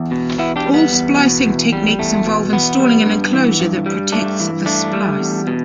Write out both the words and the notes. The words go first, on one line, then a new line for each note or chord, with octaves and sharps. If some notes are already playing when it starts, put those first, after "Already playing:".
All splicing techniques involve installing an enclosure that protects the splice.
Already playing: E2
B2
E2 B3 E4
D4 G4
G3
B3
E2
B2
E2
G3
E2 A3
B2
E2 B3
G3
G2
E3
G2
G3
G2 A3 D4
E3
G2 A3 D4
G3
E2
B2